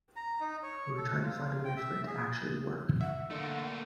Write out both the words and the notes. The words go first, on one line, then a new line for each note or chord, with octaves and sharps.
We were trying to find a way for it to actually work...
A#5
D#4
C#5
A4
F4
G5
E5
G#4
E5 F#5
D3 A3 A#3